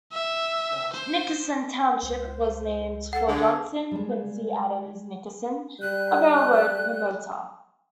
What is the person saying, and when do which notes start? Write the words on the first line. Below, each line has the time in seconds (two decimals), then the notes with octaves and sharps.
Nickerson Township was named for John Quincy Adams Nickerson, a railroad promoter.
0.12 E5
0.93 C5
2.03 C#2 C5
3.13 A4 F#5
3.28 D3 G#4
3.91 G3 G#3
5.81 G3 F#6 G6